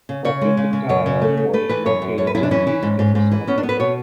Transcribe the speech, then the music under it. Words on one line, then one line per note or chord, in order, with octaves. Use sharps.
Hokitika Airport is located just east of the cemetery.
C#3
C#3 C#5
G#3
C#3
C#3
F#2 C#5
C#3
A3
A3
A3 B4
E3 B4
F#2 C#5
F#2
F#2 C#5
B4
F#2 E4
D4
E3 C#4
E3
G#2
G#2
G#2
E3
B3 C#4
D4
B3
B4
B2 C#5